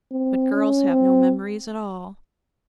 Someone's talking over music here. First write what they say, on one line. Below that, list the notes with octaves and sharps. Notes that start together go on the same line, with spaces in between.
But girls have no memories at all!
C4
C#4
C4